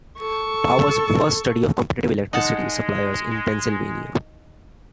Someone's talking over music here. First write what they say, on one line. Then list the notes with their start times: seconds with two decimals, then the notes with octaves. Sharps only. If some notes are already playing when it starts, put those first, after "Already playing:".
Power's first study of competitive electricity suppliers in Pennsylvania.
0.19 A4 C#6
2.33 G#3 D#4 F#5 A5